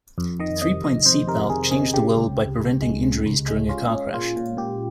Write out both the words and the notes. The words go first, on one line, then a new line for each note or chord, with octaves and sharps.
The three-point seat belt changed the world by preventing injuries during a car crash.
F2
D#3 D#5
C3 D#5
F2 D#5
F2 C5
C3 A#4
C3 G#4
C3 G#4
C#3 G4
C#2
C#2
C#2
G#3
C#3
C#2
G#3
C#4 F4
C#4
A#2 F4
A#2
A#2 G4